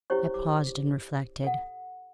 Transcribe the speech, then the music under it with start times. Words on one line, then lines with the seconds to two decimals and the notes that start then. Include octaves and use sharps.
I paused and reflected.
0.10 C#4 E4 G4 C5 C#5 C#6
0.34 D6
1.44 A4 F#5